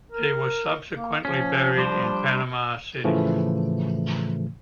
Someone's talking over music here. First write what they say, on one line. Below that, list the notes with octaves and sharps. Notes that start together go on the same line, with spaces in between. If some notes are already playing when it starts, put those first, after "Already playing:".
He was subsequently buried in Panama City.
A#4
A#3
F3 C#4
G3 D4 C5
A2 C#3 E3 F3 A3